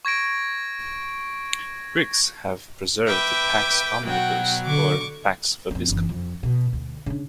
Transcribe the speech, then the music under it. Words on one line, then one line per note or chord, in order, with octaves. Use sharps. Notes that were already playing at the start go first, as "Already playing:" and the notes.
Greeks have preserved the "Pax omnibus" or "Pax vobiscum".
C#6 G#6 A#6 D7
B4 E5 G5 D6
B2 F#3 F#4 G5
D3 C#6 D6
F2 C4
F#1 E3
F2
B2
D2
C#3 D4